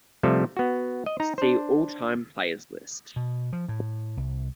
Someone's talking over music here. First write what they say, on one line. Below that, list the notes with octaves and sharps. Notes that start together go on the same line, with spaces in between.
See all-time players list.
C3 F3 G3 A3 A4
B3 F#4
D#5
D#4 A#5
D4 C5
B2
F3
A2
C2